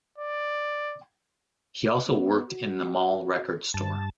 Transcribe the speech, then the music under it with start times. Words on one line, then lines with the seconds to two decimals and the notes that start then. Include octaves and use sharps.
He also worked in the mall record store.
0.18 D5
2.07 B3
2.49 F#4
3.74 G2 A5